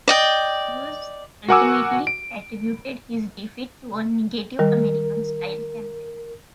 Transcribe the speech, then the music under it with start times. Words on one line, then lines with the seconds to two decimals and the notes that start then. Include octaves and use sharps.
Rodriguez ultimately attributed his defeat to a "negative, American-style campaign".
0.08 D5 D#5 G5
1.48 F#4 A#4 F#5 G#5 D6 E6
2.07 D7
4.59 D#3 G3 A#4